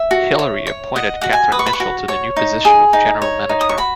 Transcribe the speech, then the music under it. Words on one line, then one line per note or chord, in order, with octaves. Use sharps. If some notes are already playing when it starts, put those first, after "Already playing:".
Hilary appointed Kathryn Mitchell to the new position of general manager.
Already playing: E5
F#4
C#5
C#5
D#5 F#5
F#4 F#5
G#5
B4 D#6
C#6
B5
C#6
F#4
C#5 C#6
D#4
G#4
D#4
C#5
D#4
D#6
C#6
F#4 B5